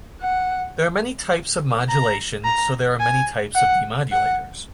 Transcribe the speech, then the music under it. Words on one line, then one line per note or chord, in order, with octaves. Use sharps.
There are many types of modulation so there are many types of demodulators.
F#5
A#5
A#5
G#5
F#5
F#5